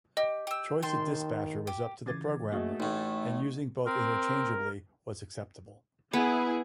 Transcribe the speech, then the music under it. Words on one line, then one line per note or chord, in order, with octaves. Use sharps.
Choice of dispatcher was up to the programmer, and using both interchangeably was acceptable.
G4 D#5
G4 E6
D#3 G5 A5 C6
G4
C#3 E3 D6 G#6 A6
A3 A#3 F#4 G#4 D#5
A1 A2 D#4
C4 A#4
B3 E4 G#4